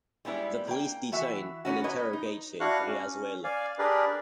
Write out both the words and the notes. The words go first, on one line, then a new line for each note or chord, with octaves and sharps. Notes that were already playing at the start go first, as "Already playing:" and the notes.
The police detained and interrogated Riazuelo.
G3 G#3 B3 E4 D5
A#3 G5
E3 F#4 E5
A#3 B3 C#4 F#4
F#3 B4 C#5 D#5
D#4
D4 E4 F#4 F5 C#6 F#6
C#4
D5 F5 G#5
D4 G4 G#4 A#4 B4 D5